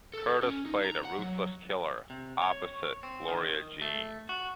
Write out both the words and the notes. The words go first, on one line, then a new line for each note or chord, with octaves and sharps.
Curtis played a ruthless killer opposite Gloria Jean.
A4
C#4
D#4
A#5
F#5
F#3
C3
C#5
C4
D#3
A3
F#4